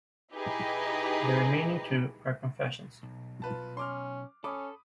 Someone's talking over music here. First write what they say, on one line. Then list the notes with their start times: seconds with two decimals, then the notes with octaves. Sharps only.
The remaining two are confessions.
0.33 D#4 E4 G4 G#4 B4 D#5
3.03 B1
3.42 F4 B4 A5
3.77 C#4 C6 D6 F6
4.44 C#4 A4 B5 D6 D#6